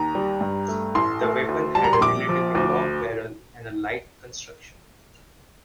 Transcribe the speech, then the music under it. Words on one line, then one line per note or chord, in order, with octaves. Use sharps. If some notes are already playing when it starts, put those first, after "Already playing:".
The weapon had a relatively long barrel and a light construction.
Already playing: D#2 A#5
G3
G2
A3
A1 C6
A3
D2
G3 A5
A#5
C6
A#1 D6
F3
D2